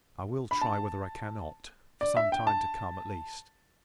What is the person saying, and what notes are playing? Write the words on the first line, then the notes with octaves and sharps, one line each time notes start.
I will try whether I cannot; for some time to come, at least.
B5
A5
D5
E5
G5
A5